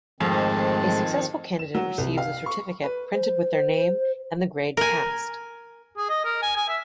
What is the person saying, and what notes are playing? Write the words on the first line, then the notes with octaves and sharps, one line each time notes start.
A successful candidate receives a certificate printed with their name and the grade passed.
F2 G#2 D#3 G#3 A3 C4 A5
E7
F#3
C2
F5
C#6
B4
C5
A#4 G#5
G#4
D#5
A#4
G#5
G#5
E5